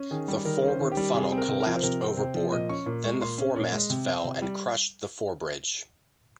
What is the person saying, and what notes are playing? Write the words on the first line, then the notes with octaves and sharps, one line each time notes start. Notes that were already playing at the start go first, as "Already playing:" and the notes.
The forward funnel collapsed overboard, then the foremast fell and crushed the fore-bridge.
Already playing: C#4
D#3 G#4
G3
D#3 A#4
C#4
C5
D#3
G4
G3
C3 G#4
C4
A#4
C3
A#4
F3
C5
C3 A#4
C4
C3 C5
F3
A#2 D#5
C#4 C#6
A#2
G#3 C#6
A#2 C6
C#4
A#2 C#5
G#3
C3
C4
C3
G3